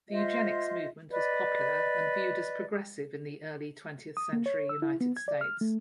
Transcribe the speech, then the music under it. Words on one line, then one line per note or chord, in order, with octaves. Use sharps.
The eugenics movement was popular and viewed as progressive in the early-twentieth-century United States.
F4 C5 D#5 E5
B4 D5 D#5
D#6
A#3
C#5
E6
E4
B3
G#6
D5
F6
A3